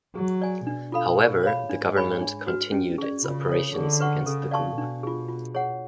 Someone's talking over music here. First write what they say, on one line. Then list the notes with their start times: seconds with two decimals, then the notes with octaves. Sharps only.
However, the Government continued its operations against the group.
0.15 F#3 G#4
0.42 D5 G#5
0.67 B2 D4
0.92 F4 A4 F5 B5
1.18 G#4
1.43 C#5 F5 B5
1.69 G#2 D4
1.95 G#4 C#5 G#5 B5
2.20 D4
2.47 F#4 B4
2.72 C#4
2.98 G#4 D5
3.24 C#3 F4
3.49 A4 C#5
3.74 D3 G#4
4.00 B4 F#5 C#6
4.26 C#3 A4
4.51 D5 F5 A5 C#6
4.78 B2 D4
5.03 F4 G#4
5.28 F4
5.55 G#4 C#5 F#5